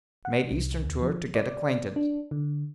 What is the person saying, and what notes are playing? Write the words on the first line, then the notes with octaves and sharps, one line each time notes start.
Made Eastern tour "to get acquainted."
F#5
C2
D#2
F3
D5
D4
D3